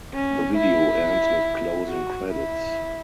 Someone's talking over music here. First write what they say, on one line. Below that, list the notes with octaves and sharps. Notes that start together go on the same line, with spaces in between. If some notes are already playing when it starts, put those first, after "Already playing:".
The video ends with closing credits.
C#4
E4
F#4
E4